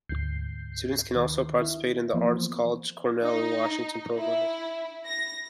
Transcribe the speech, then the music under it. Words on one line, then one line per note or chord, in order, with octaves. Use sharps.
Students can also participate in the Arts College's Cornell-in-Washington program.
D2 G#2 G6 C7
D#3
E4
E3 F3 A#3 B3 C5
D#4
E4
A#6